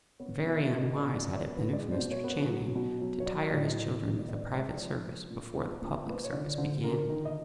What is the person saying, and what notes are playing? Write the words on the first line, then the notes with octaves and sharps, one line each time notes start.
Very unwise had it been of Mr. Channing, to tire his children with a private service before the public service began.
B3 C#5
D5
B2
E5
B2
D#5
A#2 D5
D5
A#2
C#5
B3
B4
G#3 D5
C5
B2
C#5
B3
C#5
F#3
B2
F#3
C#5
F#3 D5
A2 D5
D#5
A2
D#3 D5
D5
B3 D#5
G#3 D5
F3 C#5
A#2
A#2
B3
A#2
A#2 B4
C5
C#5
D3 D5
D3 C5
D3 A#4
D#3 A#4
D#5